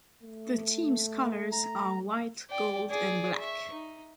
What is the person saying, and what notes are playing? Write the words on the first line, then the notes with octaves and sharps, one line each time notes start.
The team's colours are white, gold and black.
A3
A#5
D5 G5
G#4 D5
E5 C#6
D#4